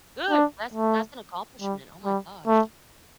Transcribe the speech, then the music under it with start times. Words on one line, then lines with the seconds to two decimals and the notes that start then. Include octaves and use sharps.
Good. That's that's an accomplishment. Oh my gosh.
0.31 D4
0.74 A3
1.61 G3
2.04 G3
2.47 A3